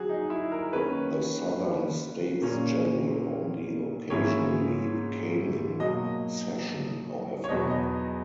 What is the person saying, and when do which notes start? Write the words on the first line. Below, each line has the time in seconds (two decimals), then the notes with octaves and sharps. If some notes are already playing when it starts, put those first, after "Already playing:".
The southern States General only occasionally came in session, however.
Already playing: F#3 F#4 G#4
0.09 D#4
0.30 E4
0.52 A#4
0.73 D#3 A#3 C#4 B4
2.42 A#2 A#3 C#4
4.10 G#2 E3 A#3 C#4 C#5
5.79 B2 F#3 A#3 D#5
7.44 C#5
7.48 E2 B2 F#3 B3 D#5
7.70 D#5